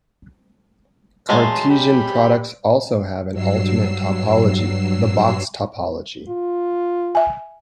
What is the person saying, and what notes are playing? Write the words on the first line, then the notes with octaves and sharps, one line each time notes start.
Cartesian products also have an alternate topology, the box topology.
F#3 G#3 A3 A5 C6
G4 B5
G2 F#3 E6 C7
F4
E5 G#5